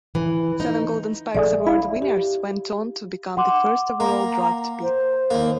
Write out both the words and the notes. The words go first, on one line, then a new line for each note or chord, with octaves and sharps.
Seven Golden Spikes Award winners went on to become the first overall draft pick.
E3
D#4
A#1 A3 G#4 D5
E4 F5
G4
F#5 C6 D6
A#3 A#5
C5
D#2 A#3